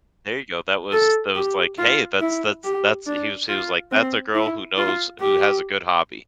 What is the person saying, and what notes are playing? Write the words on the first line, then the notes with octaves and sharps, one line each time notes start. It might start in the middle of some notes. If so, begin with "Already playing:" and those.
There you go, that was that was like, "Hey, that's that's that's" he was he was like, "That's a girl who knows who has a good hobby."
A4
G4
F4
E4
G4
D4
F4
C4
E4
F4
G4